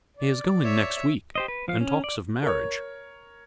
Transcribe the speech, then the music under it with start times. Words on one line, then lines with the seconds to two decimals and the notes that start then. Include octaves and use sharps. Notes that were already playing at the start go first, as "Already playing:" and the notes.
"He is going next week, and talks of marriage."
0.17 D5
0.62 C#5 E5
1.35 G4 C5 D#5
1.48 B4
1.68 F3 F5
1.81 C#4
2.04 D5
2.43 A#4 C#5